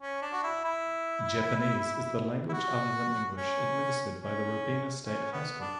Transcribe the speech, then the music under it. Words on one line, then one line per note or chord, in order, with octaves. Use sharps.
Japanese is the Language Other Than English administered at Robina State High School.
C#4
D4
F#4
E4
E4
E4
F#4
C#4
C#4
C#4
B3
D4